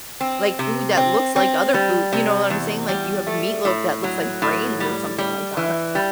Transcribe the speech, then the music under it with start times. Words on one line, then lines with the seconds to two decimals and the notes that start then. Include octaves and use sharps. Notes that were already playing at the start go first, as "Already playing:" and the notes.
like, food that looks like other food, you know what I'm saying? Like, you have a meatloaf that looks like brains or something like that.
0.21 C4
0.59 C3
0.97 C4
1.36 C4
1.74 G3
2.12 C3
2.50 E2
2.89 G3
3.27 A3
3.65 A2
4.04 F#3
4.42 A2
4.80 G3
5.18 G3
5.57 E3
5.95 G3